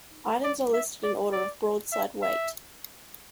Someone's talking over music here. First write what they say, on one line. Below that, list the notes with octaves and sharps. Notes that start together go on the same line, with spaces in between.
Items are listed in order of broadside weight.
D5
E5
D5
D5
E5
E5